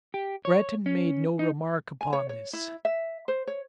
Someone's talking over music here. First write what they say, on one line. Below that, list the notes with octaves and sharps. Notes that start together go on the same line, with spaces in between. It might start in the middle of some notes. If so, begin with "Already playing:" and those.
Breton made no remark upon this.
G4
C#5
C#4
D#4
G#5
C#5
C#5
E4
E5
C5
C#5